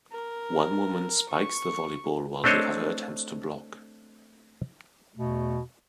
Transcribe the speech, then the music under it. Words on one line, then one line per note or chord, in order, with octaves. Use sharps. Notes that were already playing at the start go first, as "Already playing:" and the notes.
One woman spikes the volleyball while the other attempts to block.
A#4
C#6
A3 C4 D4 C5 C#5 D#5
E2 B2 A3